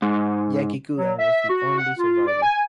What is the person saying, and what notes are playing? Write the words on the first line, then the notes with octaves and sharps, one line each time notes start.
Jackie Coogan was the only survivor.
G#2
F#3
E5
F#4
F#5
F4
D5
G#5